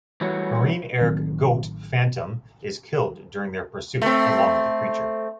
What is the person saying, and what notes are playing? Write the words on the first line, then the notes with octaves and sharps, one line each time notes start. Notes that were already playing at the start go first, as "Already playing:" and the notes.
Marine Eric "Goat" Fantom is killed during their pursuit, along with the creature.
E3 G3 A3 F#4 C#5
A1 D#3 F#3 C4
A3 C4